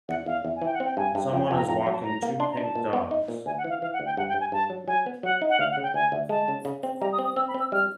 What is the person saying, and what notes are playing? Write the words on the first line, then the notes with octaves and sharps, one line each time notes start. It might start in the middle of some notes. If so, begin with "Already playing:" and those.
Someone is walking two pink dogs.
E2 F#5
E2 F5
E2
G#5
E3 G5
F#5
C4
G5
G2 G#5
G2
F2 G5
G#5
F2
A#5
F2 A#5
A#5
F#3
A5
A2 A#5
A#3
D4 C6
A#5
D4
A5
A#2
B3
D#4
A#2
D2 G#5
F#5
E3
F5
E3 F5
F#5
D2
G5
G2 F#5
G5
G2
G#5
G2 A5
F#3
F#3 G#5
B3
F#3 F#5
D#4
F#5
D2 F5
F#5
C#3
G5
D2 G#5
D2
G#3 A5
C#3
C#3
C4
G3 A#5
D#6
C4
D#6
C4 E6
B5
C4
E6
G3 F6